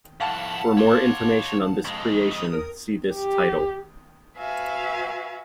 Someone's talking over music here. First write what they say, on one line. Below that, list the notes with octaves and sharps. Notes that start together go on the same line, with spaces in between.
For more information on this creation, see this title.
F2 E4 F5 F#5 A5
C#5 C6
F2 G#3
D#6
A#4
G4
F#4 B4 E5 F5 G#5